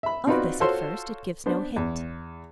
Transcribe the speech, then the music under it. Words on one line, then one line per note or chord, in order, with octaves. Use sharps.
Of this at first it gives no hint.
E5 B5
C4 D#4 F4 F#4 B4 D5
F4 F#4 A4 C5 C#5 C6
B3 D4 C5
E2